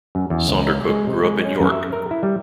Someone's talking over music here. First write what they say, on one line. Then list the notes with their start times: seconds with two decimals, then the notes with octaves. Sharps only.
Saundercook grew up in York.
0.15 F#2
0.30 E2
0.48 C#2
0.89 G#3
1.07 C3
1.23 G#3
1.45 C#4
1.60 F#2
1.72 E5
1.93 A#4
2.11 E4
2.23 G3